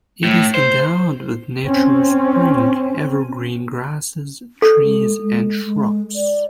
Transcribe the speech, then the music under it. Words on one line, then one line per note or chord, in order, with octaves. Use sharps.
It is endowed with natural spring, evergreen grasses, trees and shrubs.
A2
C5
C4 C#4
A4
G#3
G#3
G#3
D5